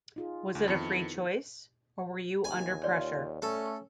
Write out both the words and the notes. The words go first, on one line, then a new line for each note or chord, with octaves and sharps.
Was it a free choice, or were you under pressure?
D#4 F4 G#4
D2
F2 D#3 B3 E4 C#7
D#2 C3 G#5
F4 C#5 D5
A3 C#4 A4